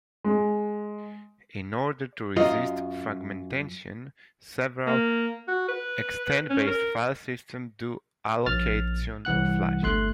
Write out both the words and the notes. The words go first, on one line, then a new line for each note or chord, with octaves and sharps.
In order to resist fragmentation, several extent-based file systems do allocate-on-flush.
G#3
F#2 F4 D#5
A#3
F#4
B4
C#4
A#4
A#1 F6 A6
C2 E3 F#5 F#6
G1 A3 C6 F#6